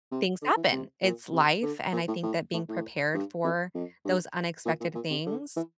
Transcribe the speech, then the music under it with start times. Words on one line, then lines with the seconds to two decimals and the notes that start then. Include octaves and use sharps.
things happen! It's life, and, I think that being prepared for those unexpected things,
0.11 C3
0.42 D3
0.56 E3
0.72 C3
1.03 A#2
1.32 C3
1.62 D3
1.93 A#2
2.07 A2
2.23 A2
2.53 A2
2.69 A2
3.14 G2
3.44 F2
3.74 F2
4.05 G2
4.65 A#2
4.80 A#2
4.95 A#2
5.10 C3
5.26 D3
5.56 E3